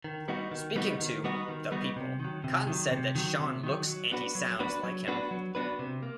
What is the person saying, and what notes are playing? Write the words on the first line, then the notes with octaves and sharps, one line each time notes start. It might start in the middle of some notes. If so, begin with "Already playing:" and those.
Speaking to "The People", Cotton said that Sean looks and he sounds like him.
D#3
G3 B3 D#4 F#4
D#3
G3 B3 D#4 F#4
D#3
G3 B3 D#4 F#4
D#3
G3 B3 D#4 F#4
C3
D#3 F#3
C3
D#3 F#3
C3
D#3 F#3
C3
D#3 F#3
F#3
B3 D4 F#4 B4
F#3
B3 D4 F#4 B4
F#3
B3 D4 F#4 B4
F#3
B3 D4 F#4 B4
C3
A#3